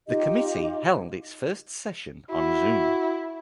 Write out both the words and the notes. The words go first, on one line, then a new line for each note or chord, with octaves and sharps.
The committee held its first session on Zoom.
D#4 F4 G4 D#5
E4 F#4